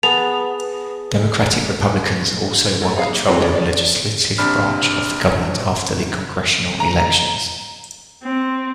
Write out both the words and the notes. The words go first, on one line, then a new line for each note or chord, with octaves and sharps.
Democratic-Republicans also won control of the legislative branch of government after the congressional elections.
B3 G#4 A5 F7
F#3 G#3 A3
D#4 E4 G#4 C#5 F5
A#3
A#3 C4 D#4 F4 B4
G#3 C#4 G#4 B4 D5
F3 D5
A#1 C3 D4 B5 F6
A#5
C4